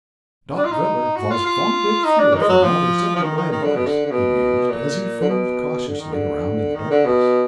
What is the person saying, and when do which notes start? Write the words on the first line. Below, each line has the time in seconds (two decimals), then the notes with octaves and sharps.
"Dot veller vas von big fool for not acceptin' my advice," he mused, as he fumbled cautiously around in the darkness.
0.58 D4
0.65 F4
0.72 D#4
1.16 F#4
1.31 F4
1.46 F4
2.05 D#4
2.19 D4
2.34 D#3
2.42 G#3
2.49 F#3
2.63 F3
3.16 F3
3.22 D#3
3.37 D#3
3.52 D#3
3.64 D3
3.75 B2
3.87 D3
4.05 D3
4.11 B2
4.70 A#2
5.21 D3
5.29 B2
5.87 D3
6.00 D#3
6.13 D3
6.76 D#3
6.91 D3
7.05 B2